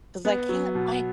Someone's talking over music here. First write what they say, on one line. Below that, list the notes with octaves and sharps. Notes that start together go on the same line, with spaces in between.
'Cause I can't, I
B3
F#3
B2